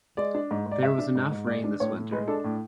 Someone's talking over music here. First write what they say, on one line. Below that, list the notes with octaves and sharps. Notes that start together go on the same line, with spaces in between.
There was enough rain this winter.
G#3 D5
D4
G#2
G#2
D5
G#3 E5
D4
G#2
G#2
G#3 D5
D4
A2 C#5
A2
G#3 B4
D4 A4
A2